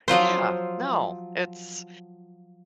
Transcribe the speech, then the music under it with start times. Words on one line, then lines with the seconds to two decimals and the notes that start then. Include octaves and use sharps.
Yeah. No, it's
0.08 F3 F#3 F4 C5